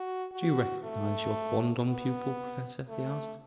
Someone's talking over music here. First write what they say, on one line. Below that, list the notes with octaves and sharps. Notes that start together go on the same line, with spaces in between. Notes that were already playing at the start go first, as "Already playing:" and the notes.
"Do you recognize your quondam pupil, professor?" he asked.
Already playing: F#4
F#4
A3
B3
A3